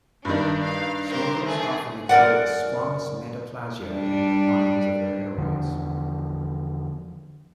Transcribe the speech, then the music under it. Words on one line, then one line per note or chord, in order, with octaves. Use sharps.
Smokers often exhibit squamous metaplasia in the linings of their airways.
G2 D#3 D4
F5
G4 A#4 C5
A3 G#4
F#2 A#4 D5 F#5
G3 D4
E2 D3 F3